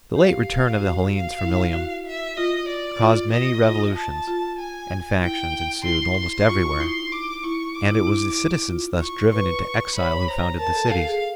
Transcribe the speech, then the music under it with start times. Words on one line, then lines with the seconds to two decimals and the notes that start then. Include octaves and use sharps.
The late return of the Hellenes from Ilium caused many revolutions, and factions ensued almost everywhere; and it was the citizens thus driven into exile who founded the cities.
0.16 G4 F5
0.80 F#4
1.11 F5
1.42 E4
1.74 F#4
2.07 E5
2.37 F4 D#5
2.69 D5
3.01 F4
3.32 D#5
3.64 F4
3.95 A5
4.27 F4
4.59 G#5
5.22 E4 G5
5.85 E4 C6
6.17 C6
6.49 F4 C#6
6.76 E4
6.80 D#4 C6
7.12 D6
7.43 E4 C#6
7.75 D6
7.91 E4
8.07 E4
8.70 F4
9.01 C#6
9.33 B4 C#6
9.96 C#5 B5
10.28 C5 A#5
10.60 A#4 A5
10.75 A4
10.91 A4 F5
11.08 G#4